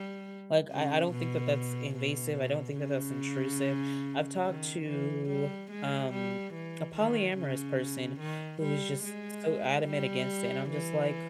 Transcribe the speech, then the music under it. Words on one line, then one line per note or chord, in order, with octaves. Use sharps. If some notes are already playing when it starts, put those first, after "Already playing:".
Like, I I don't think that that's invasive, I don't think that that's intrusive, I've talked to, um, a polyamorous person who was just so adamant against it, and I'm just like,
Already playing: G3
C#3
B2
B2
C#3
D#3
E3
G3
G#3
G3
E3
D#3
C#3
D#3
G3
G#3
G3
E3